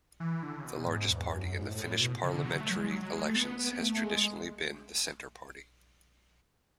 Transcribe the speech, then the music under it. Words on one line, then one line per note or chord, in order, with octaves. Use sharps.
The largest party in the Finnish parliamentary elections has traditionally been the Centre Party.
E3
D3
C#3
B2
G#2
E2
F#2
G#2
A2
A2
B2
C#3
D3
F#3
A3
F#3
G#3
F#3
F#3
G#3
A3
B3
B3
B3
A3
G#3